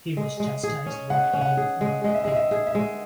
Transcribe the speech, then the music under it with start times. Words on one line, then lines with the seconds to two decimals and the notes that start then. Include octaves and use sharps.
He was chastised, but it did not take.
0.17 G#3
0.40 G#3
0.63 G#4
0.86 C#4
1.10 G#3 F#5
1.33 C#4
1.41 F#5
1.57 G#4
1.81 G#3
2.04 G#3 D#5
2.14 E5
2.24 D#5
2.27 G#3
2.36 E5
2.51 G#4
2.67 E5
2.75 G#3